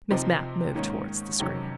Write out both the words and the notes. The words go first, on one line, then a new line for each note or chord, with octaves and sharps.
Miss Mapp moved towards the screen.
C3 F3 C4 D#4
G#2 D#3 A#3 C#4
F2 C3 D#3 F#3 C#4